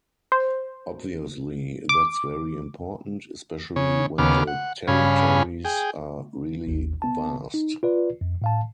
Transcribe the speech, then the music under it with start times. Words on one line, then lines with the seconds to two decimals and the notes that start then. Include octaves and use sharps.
Obviously, that’s very important, especially when the territories are really vast.
0.32 C5
1.89 D6
3.76 C#3 C#5
4.18 D#2 C#3 B3 D6 F6
4.47 F#5
4.88 G2 C#3 C#4 F5 G#5 B5
5.65 G#4 G5
6.67 G#1 D#2
7.02 B3 A5
7.54 D#4
7.83 F4 B4 D5
8.21 F2
8.42 A2 F5 A5